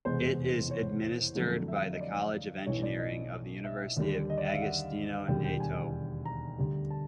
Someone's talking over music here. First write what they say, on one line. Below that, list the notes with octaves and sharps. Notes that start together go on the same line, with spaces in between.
It is administered by the college of engineering of the University of Agostinho Neto.
F1 E2 B2 G#3 C5
C#5
F2 D3 F#3 A3
E5
F5
E5
D#5
D5
B1 A2 E3 C#5
D5
D#5
E5
D#2 D3 G3
D#5
D5
E5
F5
F#5
E1 D#2 D3 G3 G5
G5
G#5
A#5
D2 D3 G3
A5